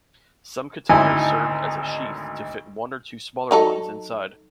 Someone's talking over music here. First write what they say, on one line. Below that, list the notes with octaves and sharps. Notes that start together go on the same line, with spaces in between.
Some katar served as a sheath to fit one or two smaller ones inside.
G#1 D2 D#4 E4 D#5 G#5
F#3 D#4 A4